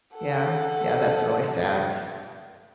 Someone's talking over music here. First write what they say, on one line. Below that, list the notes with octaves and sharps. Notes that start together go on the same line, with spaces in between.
Yeah. Yeah, that's really sad,
A4 F#5